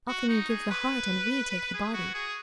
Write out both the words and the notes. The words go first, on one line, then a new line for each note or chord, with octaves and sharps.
Often you give the heart, and we take the body.
F#4
D#4
G#4
B4
G#4
F#4
G#4